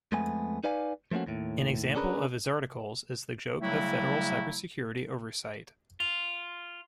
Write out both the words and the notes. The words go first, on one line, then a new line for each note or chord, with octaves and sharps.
An example of his articles is "The Joke of Federal Cybersecurity Oversight".
F2 G#3 A3 B3 G#5
D#4 B4 D5 F5 G#5
F3 A3 A#3 C#4 F#4
D#2 A2
C#4 D4 G#4 A#4 B4
C#3 F#3 G3 A3 E4
F4